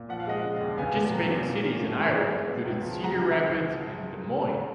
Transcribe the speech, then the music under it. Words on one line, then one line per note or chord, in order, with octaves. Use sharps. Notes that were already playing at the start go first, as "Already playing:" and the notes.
Participating cities in Iowa included Cedar Rapids and Des Moines.
Already playing: A#2
F3 F#5
F5
G#3 D#5 F#5
C#3
D#2
B3 F5 G#5
A#2
F#3
A#2
A#3
C#4
F3
G#2
G#3
B3
B2
C#2
F3
G#3
F#5 A#5
C#3